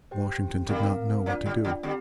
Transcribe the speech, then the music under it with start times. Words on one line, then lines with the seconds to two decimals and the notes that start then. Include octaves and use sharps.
Washington did not know what to do.
0.11 G4 C5 G5
0.69 D3 G3 C4 A#4 F5
1.26 F3 A#3 D4 F4 D5
1.46 D3 G3
1.64 D3 G3
1.83 D3 G3 C4 G4